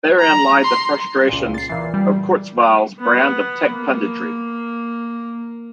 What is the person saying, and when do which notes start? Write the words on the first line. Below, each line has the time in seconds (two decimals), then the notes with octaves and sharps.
Therein lie the frustrations of Kurzweil's brand of tech punditry.
0.19 A#5
0.63 C6
1.29 C#2 A#2
1.54 A6 C7
1.69 A#2 E3
1.94 G3
3.00 B3
3.71 A#3